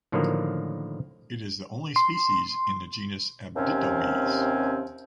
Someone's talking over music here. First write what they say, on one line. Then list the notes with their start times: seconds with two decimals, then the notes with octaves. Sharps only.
It is the only species in the genus Abditomys.
0.12 A2 D3 D#3 F3 F#3 A#3
1.96 C6
3.56 D#2 C3 C4 C#4